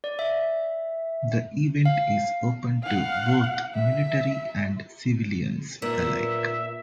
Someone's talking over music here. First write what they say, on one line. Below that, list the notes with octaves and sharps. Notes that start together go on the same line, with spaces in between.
The event is open to both military and civilians alike.
D5
E5
F5
F5 F#5
E5
A#2 A#3 B3 D4 E5